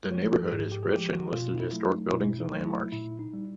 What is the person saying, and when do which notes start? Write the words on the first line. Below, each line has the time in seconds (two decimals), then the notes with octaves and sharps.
The neighbourhood is rich in listed historic buildings and landmarks.
0.12 F3 G#3 C#5
0.32 A4
0.52 G#2 G#4
0.72 G4
0.83 G#4
0.92 F3 G#3 G4
1.13 F#4
1.32 B2 F4
1.54 D#4
1.59 E4
1.73 F#3 A3
1.86 D#4
2.12 B2 E4
2.39 D#4
2.53 F#3 A3
2.66 E4
2.92 A#2 E4
3.19 D#4
3.33 G3